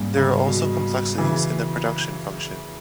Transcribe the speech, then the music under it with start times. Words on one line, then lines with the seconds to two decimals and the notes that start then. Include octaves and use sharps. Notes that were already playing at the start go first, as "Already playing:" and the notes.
There are also complexities in the production function.
Already playing: G#2 G3 A#3 C#4
0.17 C#3
0.46 B2
1.18 C#3 E3